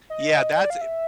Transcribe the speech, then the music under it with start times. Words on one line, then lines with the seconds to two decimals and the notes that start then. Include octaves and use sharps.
Yeah, that's, eh
0.10 D#5
0.58 D5
0.70 F5
0.81 E5